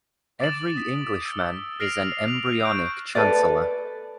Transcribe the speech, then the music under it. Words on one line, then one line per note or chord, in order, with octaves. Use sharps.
Every Englishman is an embryonic chancellor.
D6 A6 D7 E7 F#7
D#6 B6
E6
F6 A#6 C7 D7 F7 F#7
F7
C#6 F#6 G6 D7
A4 B4 D5